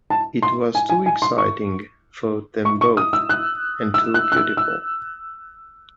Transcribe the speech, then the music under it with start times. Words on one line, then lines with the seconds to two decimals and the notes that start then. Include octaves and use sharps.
It was too exciting for them both, and too beautiful.
0.10 A5
0.43 C6
0.75 G#5
0.90 G#5
1.06 G#5
1.22 C6
1.38 C#6
2.65 C#6
2.81 C#6
2.97 D#6
3.13 E6
3.29 F#6
3.94 E6
4.14 F#6
4.32 F#6
4.37 E6
4.57 E6